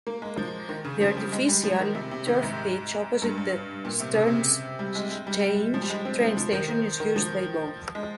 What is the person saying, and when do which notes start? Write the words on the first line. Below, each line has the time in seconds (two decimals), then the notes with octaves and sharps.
The artificial turf pitch opposite the "Sternschanze" train station is used by both.
0.07 A#3
0.22 G#3
0.37 F3
0.69 D#3
0.85 C#3
1.01 F3
1.17 G3
1.32 G#3
1.48 G3
1.63 F3
1.80 D#3
1.95 C3
2.11 C3
2.27 D#3
2.42 G#2
3.22 G2
3.38 G2
3.85 A#2
4.00 C3
4.13 C#3
4.27 C3
4.79 G3
4.95 G#3
5.11 G#3
5.27 G3
5.43 G3
5.74 F3
5.82 G3
5.90 G#3
6.05 C4
6.21 F3
6.37 F3
6.53 D#3
6.68 D#3
7.00 D#3
7.16 F3
7.95 G#3